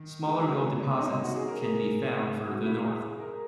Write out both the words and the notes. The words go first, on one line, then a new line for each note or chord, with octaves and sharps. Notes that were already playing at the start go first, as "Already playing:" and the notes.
Smaller gold deposits can be found further north.
Already playing: D#3
G#3
F#3
G#3
B3
C#4
D#4
F#4
G#4
A#4
G#4
F#4
E4
G#4
A#4